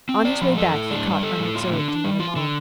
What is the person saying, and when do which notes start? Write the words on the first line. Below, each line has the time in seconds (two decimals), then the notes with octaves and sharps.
On his way back he caught unobserved another moth.
0.09 C4
0.25 D5
0.41 F3
0.57 A4
0.74 A2
0.91 D4
1.06 G3
1.23 A4
1.39 A2
1.55 F4
1.72 D3
1.88 D4
2.04 G3
2.20 F4
2.36 D3